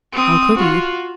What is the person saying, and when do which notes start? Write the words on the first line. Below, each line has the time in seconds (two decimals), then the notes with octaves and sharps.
How could he?
0.13 C4 D#6
0.57 F4 F#4